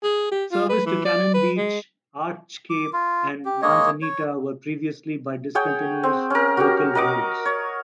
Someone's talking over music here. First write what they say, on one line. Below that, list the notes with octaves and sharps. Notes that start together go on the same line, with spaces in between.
Service to Cannon Beach, Arch Cape, and Manzanita were previously by discontinuous local roads.
G#4
G4
F4
B4
E3
D5
B4
G#3
D6
F4
G4
G#3 A#3 C#5 D#5
C#5
G#4 C#5 F#5 G5
C4
C#4 A#4
F#4 G4
A#4 D#5 F#5 D6
C#5